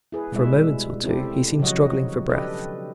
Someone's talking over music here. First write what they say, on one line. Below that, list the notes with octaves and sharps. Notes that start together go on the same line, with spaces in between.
For a moment or two he seemed struggling for breath.
E4 G#4 B4
B2 G3 G#3 E4 G#4 E5
C4 E4 G4 A4
C#3 F3 F#3 C#5 D#5 F#5
D4 G4 A4 B4 D#5